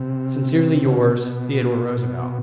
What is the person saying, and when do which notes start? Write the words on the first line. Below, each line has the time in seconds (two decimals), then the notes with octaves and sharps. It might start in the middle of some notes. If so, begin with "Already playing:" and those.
Sincerely yours, THEODORE ROOSEVELT.
Already playing: C3
0.85 C#3
0.97 C3
1.11 B2